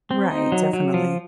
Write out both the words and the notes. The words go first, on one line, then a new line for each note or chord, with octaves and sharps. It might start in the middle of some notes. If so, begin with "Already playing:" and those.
Right, definitely,
C4
D#4
F#3
F#3
F3